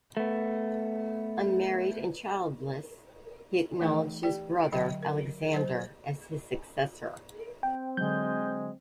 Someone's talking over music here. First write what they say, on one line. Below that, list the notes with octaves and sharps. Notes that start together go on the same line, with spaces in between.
Unmarried and childless, he acknowledged his brother Alexander as his successor.
A3 B3
E3 A3 D#4 G#4 G5
G4 D5 G5
D3 F#3 D#5 E5 G5
A#4
F#3 C5
C4 G5
D3 F#3 G#3 G6